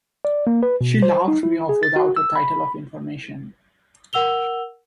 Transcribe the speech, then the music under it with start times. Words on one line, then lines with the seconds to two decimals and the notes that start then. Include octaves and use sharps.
She laughed me off without a tittle of information.
0.25 D5
0.47 A#3
0.63 B4
0.81 B2
1.02 C5
1.28 D#4
1.43 E4
1.69 G#4
1.83 A6
1.96 F#4
2.16 E6
2.35 B5
4.13 A#4 F#5 E6 F7 G7